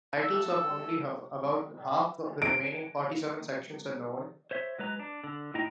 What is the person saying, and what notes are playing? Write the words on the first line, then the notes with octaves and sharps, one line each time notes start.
The titles of only about half the remaining forty-seven sections are known.
A4 E6
D7
C5 C#5 E5
F#3 G#3 B4 A#5
D4
D3
A2 D#4 E4 D#5 G5 A#5